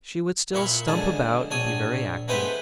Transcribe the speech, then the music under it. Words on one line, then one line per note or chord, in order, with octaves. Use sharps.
She would still stump about and be very active.
A#2 E4 F5 C#6
C#2 D3 G#4 A5
A#1 D4 C#5 D#6
G#3 A3 B3 G4 B4 C5